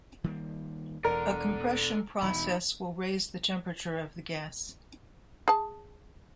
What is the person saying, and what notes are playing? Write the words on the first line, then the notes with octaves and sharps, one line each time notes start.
A compression process will raise the temperature of the gas.
D#3 G3 A#3
E1 E2 A4 A#4 D5
E1 E2 D#4 B5
G#4 A5